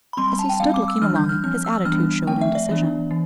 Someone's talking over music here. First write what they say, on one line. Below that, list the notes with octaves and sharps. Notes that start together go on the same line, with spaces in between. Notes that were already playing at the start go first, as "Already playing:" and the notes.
As he stood looking along it, his attitude showed indecision.
B5
G3 C4 C6
B5
A5
G5
G3 C4 F5
D6
E6
E3 G3 D4 F6
G6
F6
F3 C4 F6
E6
E3 G3 B3 D4 F6
F3 A3 C4 G5
E5
D5
E3 B3 D4
E3